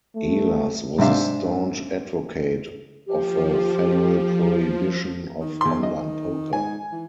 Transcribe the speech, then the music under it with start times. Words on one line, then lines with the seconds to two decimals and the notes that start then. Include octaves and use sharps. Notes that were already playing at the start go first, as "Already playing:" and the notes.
Ehlers was a staunch advocate of a federal prohibition of online poker.
0.16 A3
0.98 G#2 C3 D4 E5 F5
3.06 F3 G4
5.41 D#3
5.61 E2 C6
5.83 D#5
6.53 G#2 G#5
6.92 E3